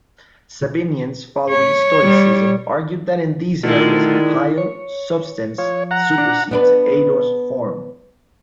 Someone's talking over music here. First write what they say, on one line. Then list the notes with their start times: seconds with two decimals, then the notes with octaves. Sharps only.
Sabinians, following Stoicism, argued that in these areas "hyle" 'substance' supersedes "eidos" 'form'.
1.49 C#5
2.03 G3
3.63 D3 D#3 G#3 A3 E4 F4
4.58 C#5
5.58 F3 C#5
5.91 F#5 A#5
6.18 D4
6.51 B3 D4 B4